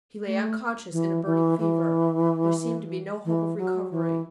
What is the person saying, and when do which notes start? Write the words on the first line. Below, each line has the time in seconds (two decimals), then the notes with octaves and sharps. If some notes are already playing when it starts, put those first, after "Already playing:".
He lay unconscious in a burning fever; there seemed to be no hope of recovery.
0.26 A3
0.92 E3
1.25 E3
1.59 E3
3.25 E3
3.58 F#3
3.91 E3